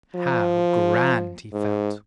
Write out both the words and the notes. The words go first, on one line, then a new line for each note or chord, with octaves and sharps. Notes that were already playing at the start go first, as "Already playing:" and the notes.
How grand he felt!
F3
G#2